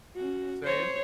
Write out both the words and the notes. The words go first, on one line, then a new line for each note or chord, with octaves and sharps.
Just saying.
C#4 F#4
C5 C#5